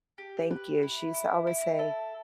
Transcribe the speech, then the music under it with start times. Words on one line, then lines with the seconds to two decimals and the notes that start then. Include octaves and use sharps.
Thank you. She used to always say,
0.18 G4
0.51 B4
0.83 E4
1.14 E4
1.47 E4
1.79 A4